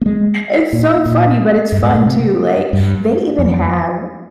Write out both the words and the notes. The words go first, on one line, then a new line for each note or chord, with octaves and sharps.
It's so funny, but it's fun, too, like, they even have
A#3
G#3
A#2
A#2
G2
G#2
A#2
C3
G2
F2